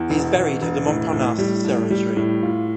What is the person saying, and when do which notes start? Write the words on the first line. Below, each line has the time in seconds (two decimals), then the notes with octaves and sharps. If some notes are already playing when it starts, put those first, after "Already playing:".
He is buried at the Montparnasse Cemetery.
Already playing: E2
0.10 E1
0.35 E1
0.62 E1
0.87 A2
1.13 A2
1.38 G3
1.64 A2
1.90 G3
2.16 A2
2.43 F4